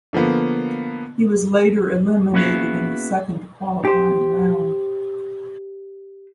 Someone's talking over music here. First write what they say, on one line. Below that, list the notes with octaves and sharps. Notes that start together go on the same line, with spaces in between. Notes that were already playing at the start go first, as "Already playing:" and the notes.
He was later eliminated in the second qualifying round.
D3 F3 A#3 B3
A#3 B3 C#4 E4 F#4 G#4
G4 C5